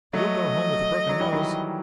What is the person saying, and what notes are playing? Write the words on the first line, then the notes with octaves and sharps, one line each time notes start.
"You'll go home with a broken nose!"
F#3 A3 D#5
F#3
E3 G3
D#3 F#3